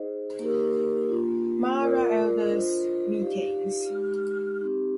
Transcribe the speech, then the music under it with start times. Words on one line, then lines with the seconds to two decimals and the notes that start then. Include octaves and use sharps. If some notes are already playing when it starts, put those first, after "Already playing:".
Mara Elders Meetings.
Already playing: D#4 G#4 C5 D#5
0.39 A#3 D#4 G4 A#4
1.09 A#3 D4 F4
1.80 F4 A#4 D5
2.50 D4 F4 C5 D#5
3.20 D#4 G4 D5 F5
3.90 G#3 D#4 G4
4.59 C4 D#4 G4